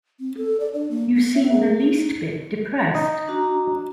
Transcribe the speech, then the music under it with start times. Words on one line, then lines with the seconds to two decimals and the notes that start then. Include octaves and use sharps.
You seem the least bit depressed.
0.20 C4
0.37 A4
0.60 D5
0.74 D4
0.91 A#3
1.16 B3
1.35 E5
1.52 G#4
1.79 G#4
1.94 D#4
2.95 D#4 D#5
3.28 D4 F#4 A#5